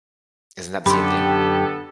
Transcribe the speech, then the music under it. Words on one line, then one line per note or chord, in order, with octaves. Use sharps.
isn't that the same thing?
F#2 D3 B3 G4 A4 B5 C6